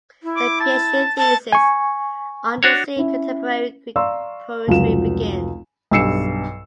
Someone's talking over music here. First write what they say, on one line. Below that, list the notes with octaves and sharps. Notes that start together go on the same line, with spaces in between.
A PhD thesis on "The Sea in Contemporary Greek Poetry" begins.
E4
D6
A5
A5
G#5 C#6
D4 F#4 C#5
C#4 E4
D5 F5 A#5 C6 C#6 E6
F1 C#2 F#3 F4 E7
B1 G2 E6 C7 C#7 E7